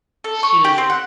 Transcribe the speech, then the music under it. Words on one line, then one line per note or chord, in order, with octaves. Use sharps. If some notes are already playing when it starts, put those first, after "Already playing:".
She was
A4
C#6
G4
C4
F#5